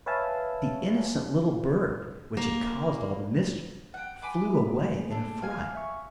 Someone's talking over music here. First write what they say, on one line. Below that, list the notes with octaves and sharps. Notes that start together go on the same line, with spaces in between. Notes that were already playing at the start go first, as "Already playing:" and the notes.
The innocent little bird which had caused all the mischief, flew away in a fright!
B4 C#5 E5 F5 G#5 A5
A#3
F#5 G5
G#5 B5 D6
A3 A#3 G#4
D4 A4
F5 G#5
E5 C#6